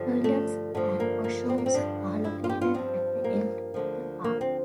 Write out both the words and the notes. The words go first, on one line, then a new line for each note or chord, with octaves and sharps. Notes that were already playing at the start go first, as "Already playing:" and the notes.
Toilets and washrooms are located at the ends of the car.
Already playing: G2 D3 F3
A3
G2 D3 F3 A3
A#3
A#3
C4
A#3
C4
G2 D3 F3 D4
E4
F4
G4
F4
G2 F3 C4
A#3
D2 D3 F3
A#3
C4